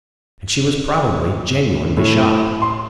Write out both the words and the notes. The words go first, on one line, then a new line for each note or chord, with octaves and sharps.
And she was probably genuinely shocked.
A2
C6